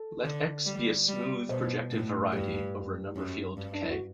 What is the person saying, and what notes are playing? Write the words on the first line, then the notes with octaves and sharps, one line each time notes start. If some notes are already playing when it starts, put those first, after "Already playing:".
Let "X" be a smooth projective variety over a number field "K".
Already playing: A4
D3
G3
G3
B2 C5
A2
G2 G4
F#2
G2
D4
E4
F#4